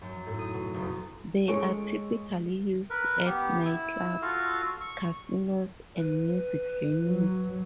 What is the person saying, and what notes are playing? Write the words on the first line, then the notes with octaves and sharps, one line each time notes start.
They are typically used at nightclubs, casinos and music venues.
F#2
A2
D#6
B2
F#1
G#3 A4 C#5 C#6 D7
A#4 B4
B3 G4
E4 E6
F4 F#4 A4 F5
C#6
B4
F#3